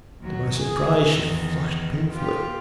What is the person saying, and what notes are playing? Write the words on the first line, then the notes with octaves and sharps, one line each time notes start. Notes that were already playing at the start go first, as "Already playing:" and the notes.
To my surprise, she flushed painfully.
D#2 F#3
G#4
E2 D#3
F4 G4